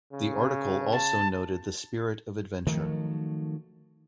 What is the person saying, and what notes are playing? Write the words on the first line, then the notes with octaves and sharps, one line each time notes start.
The article also noted the spirit of adventure.
C#3
A5
D#3 F3 F#3 A3